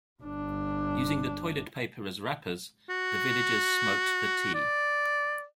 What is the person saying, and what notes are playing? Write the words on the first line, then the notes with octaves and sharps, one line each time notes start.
Using the toilet paper as wrappers, the villagers smoked the tea.
G1 D4
F#4
D5